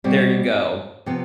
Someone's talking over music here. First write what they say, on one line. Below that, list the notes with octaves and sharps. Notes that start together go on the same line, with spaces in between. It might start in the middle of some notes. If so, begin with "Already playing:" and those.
There you go.
B2 G3 C4
C3 F3 B3